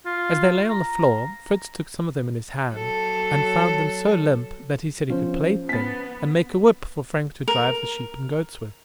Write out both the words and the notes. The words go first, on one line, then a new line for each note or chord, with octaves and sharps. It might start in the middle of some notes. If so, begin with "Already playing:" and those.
As they lay on the floor, Fritz took some of them in his hand, and found them so limp, that he said he could plait them, and make a whip for Frank to drive the sheep and goats with.
F4
A#5
F#3 A4
F3 C#4 C5
B3 A6 B6
A#4